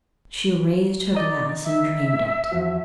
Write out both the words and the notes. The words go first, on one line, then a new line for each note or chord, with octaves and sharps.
She raised her glass and drained it.
D5 D#5 A#5
E5
E2 F3 F#4